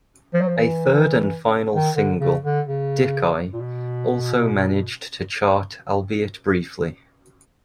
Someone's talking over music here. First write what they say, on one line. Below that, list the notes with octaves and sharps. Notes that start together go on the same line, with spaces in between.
A third and final single, "Dickeye," also managed to chart albeit briefly.
F3
F#3
F3
E3
D#3
D3
C#3
D3
C#3
A#2
B2